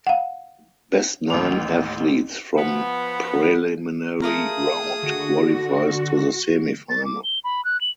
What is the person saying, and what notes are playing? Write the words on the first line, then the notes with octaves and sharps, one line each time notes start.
Best nine athletes from preliminary round qualifies to the semifinal.
F5 F#5
A1 D#2 F7
F3 B3
A3 F4 G#4 A#4 D#6
D3 F#4
A6
D6
G7
B5
F#6
F#7